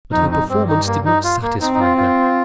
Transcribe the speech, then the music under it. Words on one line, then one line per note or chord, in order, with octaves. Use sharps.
But her performance did not satisfy her.
F2 D#4
D#4
G2 C4
D#4
A#3
D#4
F4
A#3
C4 D#4
D#4
F4
F4